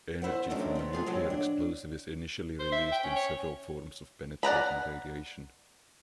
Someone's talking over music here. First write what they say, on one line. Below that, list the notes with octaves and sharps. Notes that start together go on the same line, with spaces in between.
Energy from a nuclear explosive is initially released in several forms of penetrating radiation.
E2 E4 C5 F#5
D#3 F#3 G#3 A3 C#4 D4
B3 C4
F4 G#4 A4
C#3 F#3 G#3 C4
D4
C5
E5
G5
C#4
C#5
D5 F#5 A#5 B5